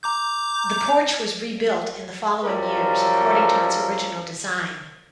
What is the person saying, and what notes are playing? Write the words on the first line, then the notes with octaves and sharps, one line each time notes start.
The porch was rebuilt in the following years according to its original design.
A#5 D6 G6
F#2 F3 G3 C#4 A4 A#4